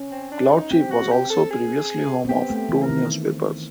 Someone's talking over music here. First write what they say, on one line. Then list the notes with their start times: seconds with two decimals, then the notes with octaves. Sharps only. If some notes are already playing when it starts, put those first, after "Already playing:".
Cloud Chief was also previously home of two newspapers.
Already playing: C#4
0.11 C4
0.31 D4
0.51 D#4
0.71 C4 G4
0.91 F#4
1.11 G4
1.30 A4
1.50 G#4
2.25 C4
2.29 B3 G4
2.50 A3
2.55 G4
2.69 E3
2.82 A#4
2.89 D#3